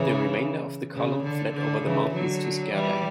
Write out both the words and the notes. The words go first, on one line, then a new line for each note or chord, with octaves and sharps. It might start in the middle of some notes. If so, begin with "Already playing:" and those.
The remainder of the column fled over the mountains to Skerdagh.
Already playing: C#3 E3
C#3
D3
D3
C#3 E3
D3 F#3
E3 G3